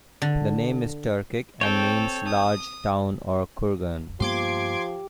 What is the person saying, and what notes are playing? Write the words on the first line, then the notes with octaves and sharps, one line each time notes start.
The name is Turkic and means "large town or kurgan".
D3
C4 A4 C#5 G5
D#6
G2 F3 A#3 B3 G4 C6 D6 G#6